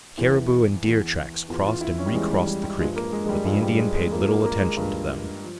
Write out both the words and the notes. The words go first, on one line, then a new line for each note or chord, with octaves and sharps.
Caribou and deer tracks crossed and recrossed the creek, but the Indian paid little attention to them.
E2 E3 E4
E2 E3
E2 E3 F4
F4
E4
C#4
G3
E2 E3 G#3
G3
G3
G3
G2 F3 G#3
A#3
G#3
G#3
G3
G2 F3 G#3
G3
G#3
G#3
G2 F3 A#3
A#3
A#3
G#3
G2 F3
F3